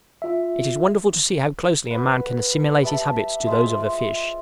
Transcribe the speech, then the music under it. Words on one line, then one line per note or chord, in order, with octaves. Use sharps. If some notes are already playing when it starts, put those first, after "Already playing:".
It is wonderful to see how closely a man can assimilate his habits to those of a fish.
F4 E5
B4 F#5
G3 E5 A5
G#3 F4 C5 E5